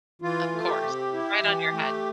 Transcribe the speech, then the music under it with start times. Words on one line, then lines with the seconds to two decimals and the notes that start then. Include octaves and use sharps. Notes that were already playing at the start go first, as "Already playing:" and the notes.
Of course. Right on your head.
0.22 E3 F4
0.52 A3
0.66 G4
0.82 C3
1.13 E4
1.43 E3
1.73 A3